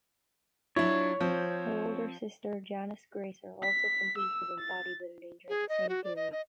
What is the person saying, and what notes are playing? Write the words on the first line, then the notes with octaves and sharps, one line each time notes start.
Her older sister Janice Graser also competed in bodybuilding during the same period.
F#3 D4 E4 F4 C#5
F3 C4
B6
E6
A6
G#4
D#5
F#4
D5
D#5
D#5